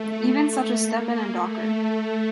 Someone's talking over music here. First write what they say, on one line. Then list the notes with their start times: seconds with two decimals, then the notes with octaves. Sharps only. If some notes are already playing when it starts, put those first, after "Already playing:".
Even such as Stepan and Docker.
Already playing: A3
0.33 A3
0.81 A#3
1.29 A3